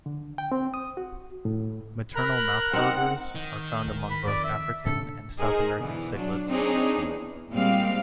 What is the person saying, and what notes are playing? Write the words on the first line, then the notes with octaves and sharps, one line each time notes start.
Maternal mouthbrooders are found among both African and South American cichlids.
D3
G5
C4
D#6
F#4
A2
A#4 A#5 B5 F#6
C4 D#4 F#5
D#3
D1 E2
B5
F2 D5
E5
G#2 C#3 D4 A4
D#4 G#4 A#4 C5 D#5
B2 D3 E3 B3
F#3 D4
C4 D4 D#4 G#4 C#5
E2
A#2 G3 G#3 C4 F5